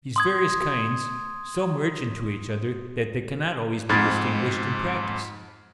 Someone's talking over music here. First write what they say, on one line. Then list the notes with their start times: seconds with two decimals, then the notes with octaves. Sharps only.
These various kinds so merge into each other that they cannot always be distinguished in practice.
0.16 C6 D#6 G#6
3.89 F2 G#2 B5 F6 G#6 A6